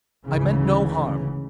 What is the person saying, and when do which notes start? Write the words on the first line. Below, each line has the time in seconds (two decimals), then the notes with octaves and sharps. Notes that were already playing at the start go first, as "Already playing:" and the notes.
I meant no harm.
0.25 D2 G#2 C#3 E3